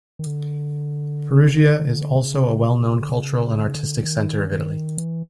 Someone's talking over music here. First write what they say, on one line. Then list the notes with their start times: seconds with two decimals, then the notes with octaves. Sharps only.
Perugia is also a well-known cultural and artistic centre of Italy.
0.19 D#3
0.26 D3
2.15 C#3
2.63 C3
3.02 D3
3.10 C#3
3.57 D3
3.66 C#3
3.75 D3
4.04 D#3
4.51 D#3
4.98 E3